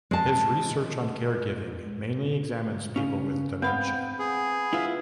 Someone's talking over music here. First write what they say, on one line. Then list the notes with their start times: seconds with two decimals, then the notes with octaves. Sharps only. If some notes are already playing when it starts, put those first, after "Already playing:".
His research on caregiving mainly examines people with dementia.
0.11 G#3 A5
2.96 C#3 C#4
3.62 B3 C4 F5 G5
4.19 G#4
4.73 E4 F4 B4